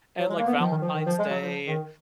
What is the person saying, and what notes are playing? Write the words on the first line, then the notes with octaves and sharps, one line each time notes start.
and, like, Valentine's Day
F#3
G#3
A#3
B3
F3
D#3
F3
D#3
F3
G#3
F#3
F3
D#3